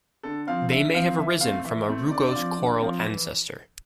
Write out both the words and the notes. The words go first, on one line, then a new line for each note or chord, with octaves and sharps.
They may have arisen from a rugose coral ancestor.
D3 A4
F3 C4 F5
D3 E5
F3 C4 F5
E3 E5
A3 C4 F5
E3 E5
A3 C4
D3 D5
C5
D5
F3 C4
D3
F3 C4
E3